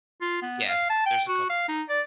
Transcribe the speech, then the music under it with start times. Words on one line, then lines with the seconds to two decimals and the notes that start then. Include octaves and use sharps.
Yes. There's a couple of
0.21 F4
0.42 B3
0.69 F5
0.90 A5
1.06 G5
1.29 F#4
1.50 F5
1.68 D#4
1.89 D5